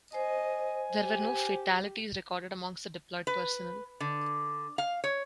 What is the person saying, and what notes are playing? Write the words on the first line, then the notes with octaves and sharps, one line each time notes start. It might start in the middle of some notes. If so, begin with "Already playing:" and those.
There were no fatalities recorded amongst the deployed personnel.
C5 D#5 G#5
G4
B4
D3
F5
C#5